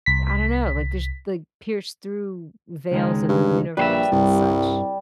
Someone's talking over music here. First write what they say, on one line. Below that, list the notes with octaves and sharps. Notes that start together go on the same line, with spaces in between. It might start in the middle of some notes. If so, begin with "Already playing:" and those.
I don't know, like, just, like, pierce through veils of the universe and such.
C2 B6
C#2 D#3 G#3
G2
A#1 G3 B4 C5 E5
C2 G2